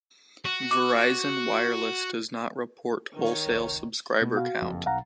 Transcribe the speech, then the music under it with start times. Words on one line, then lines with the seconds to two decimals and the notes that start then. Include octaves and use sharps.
Verizon Wireless does not report wholesale subscriber count.
0.45 F#4
0.71 D6
3.16 D#3 C#5
3.46 F1 C#2
4.21 B2
4.36 F#4 F5
4.62 F#1 F2
4.86 B1 F5 F#5 A#5